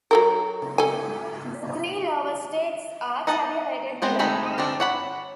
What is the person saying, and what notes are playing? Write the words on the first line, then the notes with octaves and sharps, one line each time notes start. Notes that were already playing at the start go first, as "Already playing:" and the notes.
The three lowest states are tabulated below.
F#3 A4 A#4
A4 G#5
D#4 D#5 F#5 A5
G#3 B3 C4 C5
G#3 A3 C4 D#4 B5
F3 C4 D4
C#5 F#5 B5